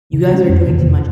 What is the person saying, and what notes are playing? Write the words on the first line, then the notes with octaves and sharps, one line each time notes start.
You guys are doing too much."
C#3
G#3 C#4
F2
C3 D#3 A#3
F2